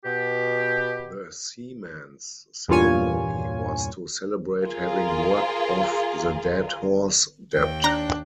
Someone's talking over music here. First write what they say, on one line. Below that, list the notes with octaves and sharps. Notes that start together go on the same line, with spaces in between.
The seaman's ceremony was to celebrate having worked off the "dead horse" debt.
B2 G4
E2 G2 A#2 F4 C#5 G#5
F4 G#4 A#4
D#2 G5
D4 A#5